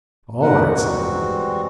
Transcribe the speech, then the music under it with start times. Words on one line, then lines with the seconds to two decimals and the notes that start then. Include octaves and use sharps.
"All right," said Lulu.
0.42 A#4 B4 F#5
0.71 E3 G3 G#3 C4 F#4